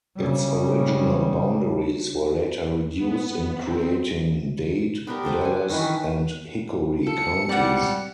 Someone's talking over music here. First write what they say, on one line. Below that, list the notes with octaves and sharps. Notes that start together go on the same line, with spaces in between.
Its original boundaries were later reduced in creating Dade, Dallas, and Hickory counties.
C#3 G3
B3
C4
B3 D4 G4 A#4
G3 A4 C5 D6
F#5 G#5
D#3 E3 C#4 B4
F4 A4 C#7
G3 G#3 C4 D5 F#5